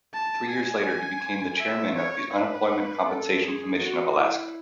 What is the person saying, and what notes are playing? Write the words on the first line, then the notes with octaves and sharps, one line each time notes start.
Three years later he became the chairman of the Unemployment Compensation Commission of Alaska.
A5
G#5
E5
C#5
B4
A4
G#4
F#4
E4